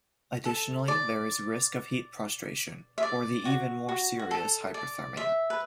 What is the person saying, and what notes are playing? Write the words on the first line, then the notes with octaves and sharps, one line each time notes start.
Additionally, there is risk of heat prostration or the even more serious hyperthermia.
A4
D5
E5
D5
F#4
F#4
F#4
A4
D5
E5
B4